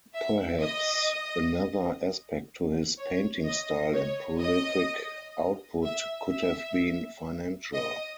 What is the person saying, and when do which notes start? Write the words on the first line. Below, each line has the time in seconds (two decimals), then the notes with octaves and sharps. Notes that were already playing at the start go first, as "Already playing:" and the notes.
Perhaps another aspect to his painting style and prolific output could have been financial.
0.13 E5
0.60 D#5
2.98 C#5
3.46 D#5
3.93 C#5
4.40 D#5
5.84 E5
6.30 E5
7.74 D#5